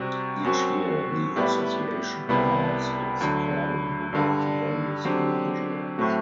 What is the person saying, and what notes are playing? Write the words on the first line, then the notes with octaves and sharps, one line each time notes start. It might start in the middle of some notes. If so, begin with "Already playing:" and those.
Each year the Association awards its Caring Award to various individuals.
Already playing: C3 G3 C4 F#4
F#2 F#3 C4 F#4
A2 G3 B3 E4 G4
C2 C3 G3 B3 E4
D2 D3 F#3
G2 D3 G3
D3 F#3 C4 G4
A2 F#3 A3 C4 F#4